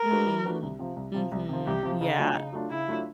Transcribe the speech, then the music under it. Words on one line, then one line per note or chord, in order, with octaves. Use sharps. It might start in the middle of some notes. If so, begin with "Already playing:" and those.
Mm. Mhm. Yeah.
Already playing: A#4
A3 D4 F#4 B4
E3
A3 D4 F#4 B4
C2
C3 F3
C2
C3 F3
C2
C3 F3
C2 G4
C3 F3
C#3 D#4
F#3 A3 D4 F4
C#3
F#3 A3 D4 F4
C#3 E4
F#3 A3 D4 F4